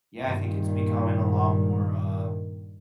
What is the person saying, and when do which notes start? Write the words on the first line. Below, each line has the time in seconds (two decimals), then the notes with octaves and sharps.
Yeah, I think it's becoming a lot more, uh,
0.20 G2 A#2 D#3